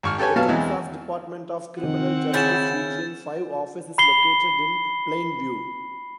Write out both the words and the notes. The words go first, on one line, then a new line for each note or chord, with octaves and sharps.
The Texas Department of Criminal Justice Region Five office is located in Plainview.
G#1 C#6 F6
G4 A4 B4 C#5 G#5
B2 F#3 B3 B4 F5 A5
E2 E3 G#3 C4
D#3 C4 F#5
C#3 E4 C#5 G6 A6 E7
B5 C7 G7